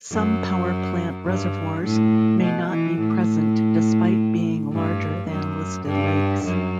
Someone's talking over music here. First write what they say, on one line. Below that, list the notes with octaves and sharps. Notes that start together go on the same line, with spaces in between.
Some power plant reservoirs may not be present despite being larger than listed lakes.
F#2
G2
A2
B2
E3
A2
G2
F#2
G2
F#2